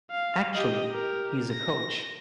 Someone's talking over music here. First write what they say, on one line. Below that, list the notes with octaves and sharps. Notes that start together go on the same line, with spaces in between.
Actually, he is a coach.
F5
G4 D#5
G4 A#4
A#6